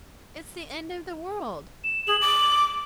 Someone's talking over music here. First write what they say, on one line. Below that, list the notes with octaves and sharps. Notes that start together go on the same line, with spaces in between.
It's the end of the world.
E7
G#4 F#7
D6